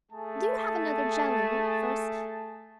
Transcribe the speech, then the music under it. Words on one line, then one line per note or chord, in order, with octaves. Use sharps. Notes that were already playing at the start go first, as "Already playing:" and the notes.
Do have another jelly first.
A3 G#4 A5